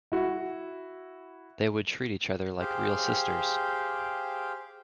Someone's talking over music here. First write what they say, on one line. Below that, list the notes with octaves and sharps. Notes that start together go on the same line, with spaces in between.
They would treat each other like real sisters.
E4 F#4
G4 G#4 C5 F5 G5